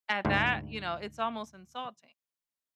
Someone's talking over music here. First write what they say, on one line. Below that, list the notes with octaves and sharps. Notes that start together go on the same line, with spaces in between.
at that, you know, it's almost insulting.
D2 G#2